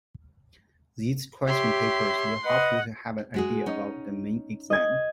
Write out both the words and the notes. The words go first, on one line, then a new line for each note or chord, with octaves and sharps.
These question papers will help you to have an idea about the main exam.
G4 C#5 E5 C6
B4 D#5 F#5
G#3 F#4 G#4
C#4 D#4
D#5 G#6